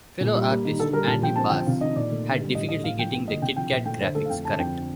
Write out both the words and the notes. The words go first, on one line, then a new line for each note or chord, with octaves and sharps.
Fellow artist Andy Bass had difficulty getting the Kit-Kat graphics correct.
A#2
G3
A#3
D#3
D3 A4
G3 A#4
A#2 A5
F3 G5
C4 A5
G5
F3
C3 F5
D#3 D#5
A#2 D5
A3
D3
G3
A2 D#5
A3 D#5
A2 F5
F3 G5
A#3 G5
D3 D#5
C3 G5
F3 G5
A#2 G5
A3 G5
D3 C5
A3 A4
F5
F2 G5
D3 A5
F2 G5
D3